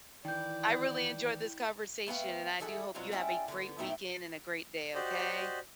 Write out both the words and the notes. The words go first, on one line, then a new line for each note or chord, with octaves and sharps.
I really enjoyed this conversation, and I do hope you have a great weekend and a great day, okay?
D#3 E3 E4 D5 G5 G6
A3 B3 F5 G5
D#3 E4 G#4 A4 D#5 F#5
B2 F#3 C4 D4 F4 F#4
G#3 C#4 E4 D5 G5
D3 B3
A#2 A3 B3 D#4 E4 G5
F#4 G4 C5 D5 D#5